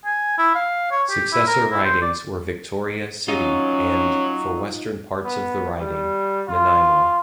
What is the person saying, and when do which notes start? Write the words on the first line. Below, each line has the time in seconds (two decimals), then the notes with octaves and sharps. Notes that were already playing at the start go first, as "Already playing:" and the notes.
Successor ridings were Victoria City and, for western parts of the riding, Nanaimo.
0.05 G#5
0.38 E4
0.55 F5
0.91 C#5
1.10 G4
1.32 E4
1.47 A#4
1.71 E4
1.84 C5
2.02 D5
3.28 F#3 C#4 D#4 F4
5.24 B3
5.80 G3
6.48 F4